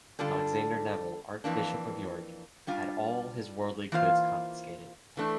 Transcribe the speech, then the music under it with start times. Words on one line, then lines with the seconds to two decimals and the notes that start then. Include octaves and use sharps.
Alexander Neville, Archbishop of York, had all his worldly goods confiscated.
0.19 D3 G3 D4 F4 A4
1.44 F2 E3 A#3 D4
2.67 G3 D4 F4
3.92 E3 A#3 F4 C5 F5
5.17 E3 A3 D4